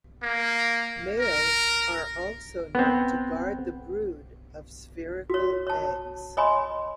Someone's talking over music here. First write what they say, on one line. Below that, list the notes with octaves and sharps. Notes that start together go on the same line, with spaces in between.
Males are also known to guard the brood of spherical eggs.
A#3
A#4
B3 C4
F#4 C#5
C#5 A5
C#5 D#5 G#5 B5 C6